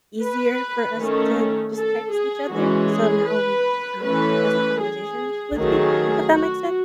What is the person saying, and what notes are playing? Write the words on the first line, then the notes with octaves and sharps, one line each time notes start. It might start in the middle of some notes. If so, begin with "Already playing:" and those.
easier for us to just text each other, so now we have less conversations with people, if that makes sense.
B4
D#3 A3 C#4
A4
G#4
E3 G#3 C#4 F#4
G#4
B4
E3 A3 C#4 B4
G#4
D#3 F#3 A3 C#4 G#4
F#4